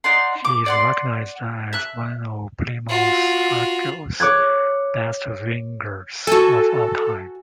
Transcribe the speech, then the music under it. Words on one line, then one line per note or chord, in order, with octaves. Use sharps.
He is recognised as one of Plymouth Argyle's best wingers of all time.
D#4 D5 F#5 C6
D6
D5 F#5 C6
E5 F#6
F4 F#4
C#5 D6 F#6 G#6
F#4 A4 G#5